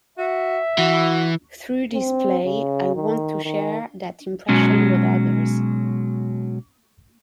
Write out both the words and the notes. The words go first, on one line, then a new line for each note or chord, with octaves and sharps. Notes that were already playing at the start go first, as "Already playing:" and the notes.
Through this play I want to share that impression with others.
F#4 E5
E3 F#4
C4
C#3
D#3
D#3
B2 F#3 G#3 C#4